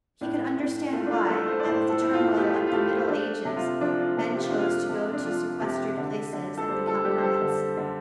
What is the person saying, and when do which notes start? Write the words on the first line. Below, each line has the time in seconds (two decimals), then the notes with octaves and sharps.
He could understand why, out of the turmoil of the Middle Ages, men chose to go to sequestered places and become hermits.
0.21 A2 D4
0.57 A2
0.93 A3 F4
1.07 D4
1.11 F4
1.29 A3 A4
1.47 C5
1.60 D5
1.65 A2 C5
1.89 A4
2.01 A2
2.13 F4
2.37 A3 G4
2.55 F4
2.67 F4
2.73 A3 G4
2.91 C5
3.09 A3 D4
3.45 C3
3.57 F4
3.81 F3 D4
3.99 F4
4.17 C3 D4
4.35 G4
4.43 F4
4.51 A3 D4
4.58 F4
4.89 C3
5.13 D4
5.25 F3 F4
5.61 C3 G4
5.97 D3
6.33 D3
6.57 A4
6.69 G3 C5
6.87 A4
7.05 G3 G4
7.18 C5
7.23 A4
7.41 D3
7.77 D3